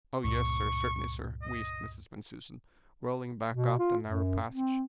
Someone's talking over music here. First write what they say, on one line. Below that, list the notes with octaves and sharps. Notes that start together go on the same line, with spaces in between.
"Oh, yes, sir--certainly, sir," wheezed Mrs. Bensusan, rolling back up the narrow passage.
C#2 G2 A#2 C#6
D#5
B2
F4
F#2
C4